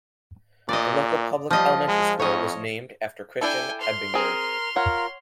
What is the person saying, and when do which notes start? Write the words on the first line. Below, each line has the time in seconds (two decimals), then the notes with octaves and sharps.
The local public elementary school was named after Christian Ebinger.
0.69 A#2 D5 D#5
1.51 F3 G3 D#5
1.88 G#3
2.20 F2 C#5 D#5
3.41 D4 E4 A4 G5 G#5
3.80 C6 F6
4.14 C4 G#4 A#4
4.76 F4 A#4 C#5 F#5